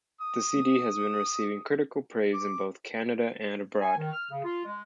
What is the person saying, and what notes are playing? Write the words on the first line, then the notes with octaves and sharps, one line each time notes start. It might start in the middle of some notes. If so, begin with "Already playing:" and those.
The CD has been receiving critical praise both in Canada and abroad.
D#6
D6
G#5
D#3
F6
C#3
F4
G#3